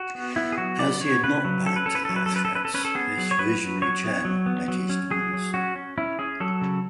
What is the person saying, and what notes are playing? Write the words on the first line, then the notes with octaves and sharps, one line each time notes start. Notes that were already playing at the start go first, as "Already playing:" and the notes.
As he had not bowed to their threats, this visionary chairman met his demise.
Already playing: F#4
B3
B3 E4
G#4
F#3 F#4
B3 D5
B3 C#5
C#3 B4
F#3
C#4 A4
B4
C#4 A4
B4
F#3 A4
B4
A4
C#4
B4
A4
C#4 B4
A4
C#4 B4
A4
B3 G#4
F#3
C#5
F#3 B4
F#3
F#3 C#5
B3
F#3
B3
F#3
C#4
F#3 G#4
F#3
C#4 F#4
C#4
C#4 E4
C#4 G#4
F#3 A4
C#3